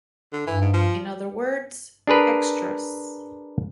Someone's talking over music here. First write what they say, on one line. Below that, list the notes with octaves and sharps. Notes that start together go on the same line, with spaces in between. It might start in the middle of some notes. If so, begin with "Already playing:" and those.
In other words, extras.
D3
G2 E3
G#2
F3
D4 G#4 A#4 B4